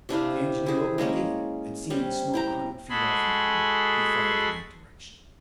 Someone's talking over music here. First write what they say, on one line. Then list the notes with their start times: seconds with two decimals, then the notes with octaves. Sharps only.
The engineer opened the gate, and seeing smoke a hundred feet off in the wood, he fired in that direction.
0.09 C3 D4 E4 F5
0.66 E4 G#4
0.98 G#3 A#3 C#4 C#5
1.90 G3 C4 C#4
2.33 E4 G5 A#5
2.89 G#3 F#4 G#4 A4 B5 C6